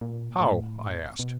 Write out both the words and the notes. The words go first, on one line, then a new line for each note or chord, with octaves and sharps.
"How?" I asked.
A#2
A2
B2